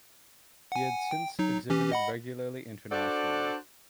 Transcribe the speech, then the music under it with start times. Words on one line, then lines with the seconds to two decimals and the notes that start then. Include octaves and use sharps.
He has since exhibited regularly internationally.
0.72 F#5 G#5
1.11 G5
1.39 F#3 D#4
1.70 E3 C#4 G4
1.92 D#5 F#5 B5
2.91 D4 F#4 A4 C5 D5